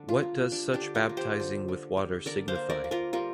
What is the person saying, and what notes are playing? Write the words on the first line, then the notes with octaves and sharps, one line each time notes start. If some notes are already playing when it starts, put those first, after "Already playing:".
What does such baptizing with water signify?
Already playing: D3 D4
F4
A#3
G3 D4
D4 G4
D3
F4 A#4
A#3
G4 C5
D3
D3
G3
D3 A#4 D5
C5 F5
A#3
A#4 D5
A#3
F4 A#4
G3 F4 A#4